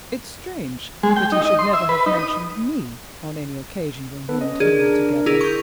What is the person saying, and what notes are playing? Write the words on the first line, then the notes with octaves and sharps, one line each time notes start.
"It's strange that he should never have mentioned me, on any occasion when you and he were together."
G#3
G5
D#4
D#5
C6
E5
B4
D#4
D#6
B3 A4 B4
C#4 D#5
D3 D4 G#4 A#4
E4 G#4 A#4 D6
C#6 D#6 G6